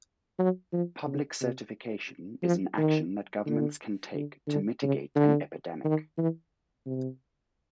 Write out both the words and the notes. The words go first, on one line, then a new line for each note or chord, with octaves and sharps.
Public certification is an action that governments can take to mitigate an epidemic.
F#3
F3
C#3
C3
F3
D#3
D3
D3
D3
C#3
D3
D#3
E3
C3